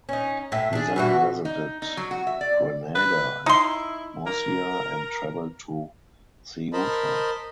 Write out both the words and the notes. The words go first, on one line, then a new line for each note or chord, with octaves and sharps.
He then visited Granada and Murcia and traveled to Ceuta.
C#4 D#4
A2 E5
D4 G#4
B2 E3 F#4
D#4
D#4
F#3
F#4
E5
D5
B4
D#4 E4 C6
A#4
A#4 C5 D#5 A5 B5